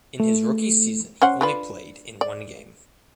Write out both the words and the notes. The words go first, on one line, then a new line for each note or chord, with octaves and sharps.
In his rookie season he only played in one game.
A3
C#4 C5 F#5
D4 F4 B4
D5